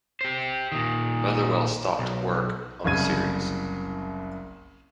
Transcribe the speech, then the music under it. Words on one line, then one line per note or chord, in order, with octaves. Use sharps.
Motherwell stopped work on the series.
G4 C5
A#2 D#3
B1
F#1 C2 C#3 G#6 D#7